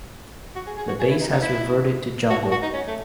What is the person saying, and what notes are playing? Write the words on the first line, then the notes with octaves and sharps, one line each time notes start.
The base has reverted to jungle.
F#4
G#4
G#4
F#4
G#4
E4
D#4
D#4
E4
F#4
F#4
D#4
C#4
A3